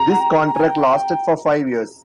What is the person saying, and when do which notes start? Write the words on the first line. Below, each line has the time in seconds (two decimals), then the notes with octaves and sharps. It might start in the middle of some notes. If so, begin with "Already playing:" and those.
This contract lasted for five years.
Already playing: A#5
0.09 F#5
0.20 G5
0.47 G5
0.54 G#5
0.61 G5